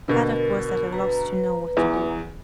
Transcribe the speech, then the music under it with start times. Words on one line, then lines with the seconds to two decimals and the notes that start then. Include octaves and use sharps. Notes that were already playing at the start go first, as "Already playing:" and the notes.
Kadok was at a loss to know what to do.
0.08 B2 D3 A#4
0.93 B4 A#5
1.77 E2 E3